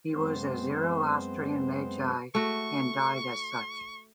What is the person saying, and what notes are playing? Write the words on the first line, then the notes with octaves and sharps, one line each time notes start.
He was a Zoroastrian Magi, and died as such.
F#2 G#3 B3 C4 C5
A3 F#4 C#6